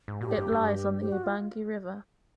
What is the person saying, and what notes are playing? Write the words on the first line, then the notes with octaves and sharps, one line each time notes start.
It lies on the Ubangi River.
G#2
A#2 F#4
A2 G4
G2
G2
G4
F#4
F4